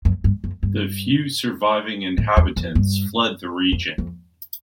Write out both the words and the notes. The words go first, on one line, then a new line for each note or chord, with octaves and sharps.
The few surviving inhabitants fled the region.
F#2
G2
F#2
G2
A2
E2
F2
G2
F2
F2